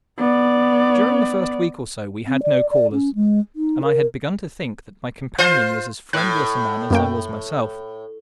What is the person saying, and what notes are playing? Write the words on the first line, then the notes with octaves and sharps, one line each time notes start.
During the first week or so we had no callers, and I had begun to think that my companion was as friendless a man as I was myself.
B3 D5
C4
D5
D5
C#4
G#3
D#4
A#4
F4 C5
A2 F#6
F#2 A#3 G5